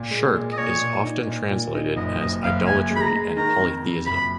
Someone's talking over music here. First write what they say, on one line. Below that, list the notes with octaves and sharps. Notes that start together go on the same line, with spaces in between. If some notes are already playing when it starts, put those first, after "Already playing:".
"Shirk" is often translated as idolatry and polytheism.
Already playing: A#2
G#3
A#2
D#5
A#2 C#5
A#2
D#4
A#2
A#2
D#4
F#1 D#5
F#1 D#5
F#1 F5
F#1 G#5
G#3
B5
A#5
G#3
D#3 A#5
F2
F2
F#1 B5